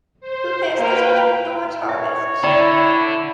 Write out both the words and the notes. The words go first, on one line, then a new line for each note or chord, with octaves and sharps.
Who plants thistles, thorns harvests.
C5
A#3 A#4 B4 G5
C#5 E5
D3 E4 D5 G5 A#5